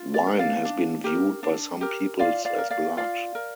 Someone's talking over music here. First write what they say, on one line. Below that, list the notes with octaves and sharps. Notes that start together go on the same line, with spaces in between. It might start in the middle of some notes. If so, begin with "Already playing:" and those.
Wine has been viewed by some peoples as blood.
Already playing: F4
D5
A#4
D5 F5
D4
G4 A#4
D4
G4 A#4
F4 D5 F5
D5 F5
A#4
D5 F5
F4 D5 F5
A#4